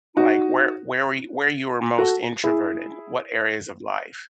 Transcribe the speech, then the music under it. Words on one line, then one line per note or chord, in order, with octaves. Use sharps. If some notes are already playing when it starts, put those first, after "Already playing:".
Like, whe where you where you were most introverted, what areas of life,
D#4 F#4
F#4 A4
E4 G#4